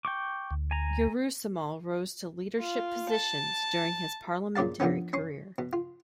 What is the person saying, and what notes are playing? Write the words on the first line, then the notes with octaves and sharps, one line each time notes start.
Urusemal rose to leadership positions during his parliamentary career.
G5 C#6 D6
D2
G#5 A#5
F4
A5
A#2 C#3 D5 F5 A5
D3 D#3 F3 B3 C#4
C#4 C6 C#6
B2
F4